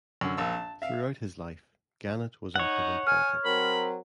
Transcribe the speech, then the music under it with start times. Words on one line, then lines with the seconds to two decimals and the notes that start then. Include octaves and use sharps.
Throughout his life, Gannett was active in politics.
0.21 F#2 D3
0.37 A#1 A5 E6
0.52 A5
0.82 E5 F5
2.56 D#4 C#5 F#5
3.07 G#5 F6
3.45 F#3 C4 A#4 B5